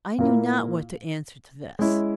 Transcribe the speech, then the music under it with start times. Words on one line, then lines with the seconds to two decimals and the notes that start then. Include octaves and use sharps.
I knew not what to answer to this.
0.18 A#2 A#3 E4
1.79 G#3 C#4 E4